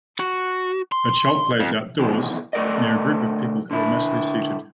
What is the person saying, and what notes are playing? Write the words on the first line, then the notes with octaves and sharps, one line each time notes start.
A child plays outdoors, near a group of people who are mostly seated.
F#4
C6
F2
F2 G#2 B2 D#3 E3
D2 A3 A4 A#4 D5 D#5
D3 E4